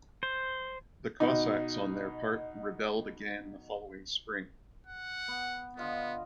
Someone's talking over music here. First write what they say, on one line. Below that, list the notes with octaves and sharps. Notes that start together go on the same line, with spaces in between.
The Cossacks on their part rebelled again the following spring.
C5
B2 D#4
F#5
B3
D3 B3 F4 D#5